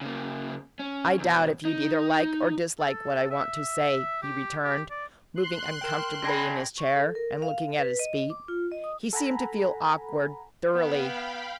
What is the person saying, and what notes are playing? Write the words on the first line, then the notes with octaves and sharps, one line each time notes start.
"I doubt if you'd either like or dislike what I want to say," he returned, moving uncomfortably in his chair and looking at his feet--he seemed to feel awkward, thoroughly.
C#3 A#3
C#4
E2 B2
D#4
A4
E5
G4
G4
D5
C6 F#6
A#4 G5
D3 G5 B5 G#6 A#6
C#6
A4
A#4
F5
B4
D#5
D6
F4
D#5
D#6
A4 F#5 G#5 A#5 B5
B3 F5 G5 B5